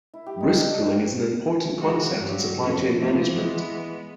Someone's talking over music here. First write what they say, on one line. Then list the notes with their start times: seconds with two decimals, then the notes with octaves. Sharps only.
Risk pooling is an important concept in supply chain management.
0.14 E4
0.26 G4
0.41 D#4
0.57 D4
0.72 F5
0.83 A#3
1.80 G#3 F#4
2.20 G2 F#3
2.59 F2 A2 C#4
2.97 E3 F3 A3
3.32 G#3 B3